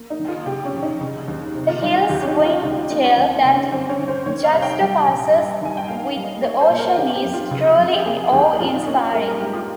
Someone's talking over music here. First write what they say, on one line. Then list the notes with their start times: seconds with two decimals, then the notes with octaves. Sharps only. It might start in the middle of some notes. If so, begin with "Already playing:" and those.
The hill's winding trail that juxtaposes with the ocean is truly awe-inspiring.
Already playing: A#3
0.10 D#4
0.19 D#3
0.28 F4
0.46 C#3 G4
0.65 C#4
0.73 F1
0.82 D#4
1.01 C#3
1.28 D#2
1.55 C3
1.68 F4
1.82 G3 D#4
1.95 F4
2.09 D#2 G4
2.22 C#4
2.28 D#4
2.37 D#2 G4
2.45 F4
2.63 C#2 D#4
2.70 G4
2.77 F4
2.91 A#3 D#4
3.04 C#4
3.17 D#2 C4
3.36 C4
3.45 C#3
3.54 C#4
3.72 G1 C4
3.89 C#4
3.99 D#3
4.08 C5
4.26 D#3 C#5
4.44 F5
4.53 C2
4.62 G5
4.80 G3
5.07 A#1
5.34 G2
5.61 D#3 G#5
5.77 G5
5.88 A#3 F5
6.07 F5
6.16 G3
6.25 D#5
6.42 A#3 C#5
6.61 C5
6.70 A#2
6.79 A#4
6.97 D#3 G4
7.15 G4
7.24 F2
7.33 F4
7.51 C#3
7.78 F2
7.94 G4
8.05 A#3 G#4
8.32 D#2 G4
8.60 A#1 F4
8.74 D#4
8.87 A#3 C#4
9.14 G2 A#4
9.27 A#4
9.41 G#3 G4
9.54 F4